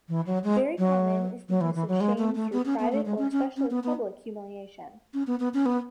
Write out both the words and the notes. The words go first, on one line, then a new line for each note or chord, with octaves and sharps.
Very common is the use of shame through private or, especially, public humiliation.
E3
F#3
G#3
F#3
F#3
E3
E3
F#3
G#3
A3
A3
B3
C#4
B3
A3
G#3
C#4
C#4
C#4
B3
B3
C#4
B3
B3
C#4
B3